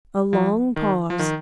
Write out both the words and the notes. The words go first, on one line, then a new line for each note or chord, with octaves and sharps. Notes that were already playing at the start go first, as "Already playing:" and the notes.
A long pause.
F3
D#3
F3
D#3